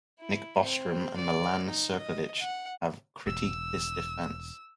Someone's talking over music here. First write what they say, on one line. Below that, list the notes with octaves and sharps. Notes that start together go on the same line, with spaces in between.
Nick Bostrom and Milan Cirkovic have critiqued this defense.
E4
C4
D5
D#4
D#5
F#5
E1 E6